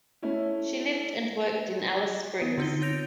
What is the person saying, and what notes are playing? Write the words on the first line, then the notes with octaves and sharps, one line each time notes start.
She lived and worked in Alice Springs.
A3 C#4 E4
B3
D3 C4 D#4 F4 G7
F4 C#5 G6 A#6 D7 F7